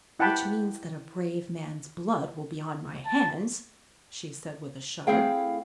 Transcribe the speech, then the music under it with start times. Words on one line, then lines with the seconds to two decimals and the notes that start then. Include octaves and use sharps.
"Which means that a brave man's blood will be on my hands," she said, with a shudder.
0.19 E4 F#5 G5 A5 B5
3.06 A5
5.07 A3 C4 E4 G#4 F5 G5